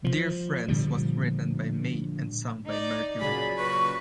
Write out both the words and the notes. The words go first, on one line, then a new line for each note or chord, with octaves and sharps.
"Dear Friends" was written by May and sung by Mercury.
F3
A#2 D3 F3 G3
D#4 D5
A#2 C#3 F#3 G#4 D5 B5
B4 C#6